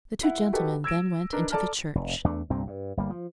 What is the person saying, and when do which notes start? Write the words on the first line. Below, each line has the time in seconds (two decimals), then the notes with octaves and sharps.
The two gentlemen then went into the church.
0.23 E4 F#5
0.53 D#4 F#4 G4 A4 B4
0.84 E6 G#6 A#6 D7 E7
1.33 D4 D#4 A#4 B4
1.51 A4 D5 A5 A#5 F6
1.95 F1
2.24 E2 A3 D4
2.50 C2 G2 A#2 C4
2.67 G2
2.97 G1 G3 A#3
3.10 F3